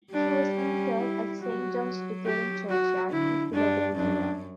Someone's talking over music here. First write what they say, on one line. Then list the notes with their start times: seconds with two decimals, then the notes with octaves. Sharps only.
He was interred at Saint John's Lutheran Churchyard in Philadelphia.
0.13 G3 D4
0.56 C#4
0.99 E4
1.41 F#3 F#4
2.26 G4
2.69 F#4
3.12 D3 E4
3.54 G2 D4
3.96 F#2 D4